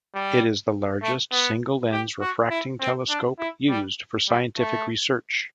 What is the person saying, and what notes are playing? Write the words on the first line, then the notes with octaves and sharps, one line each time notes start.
It is the largest single lens refracting telescope used for scientific research.
G3
A3
B3
G4
F#4
E4
C4
D4
E4
G3
G3
A3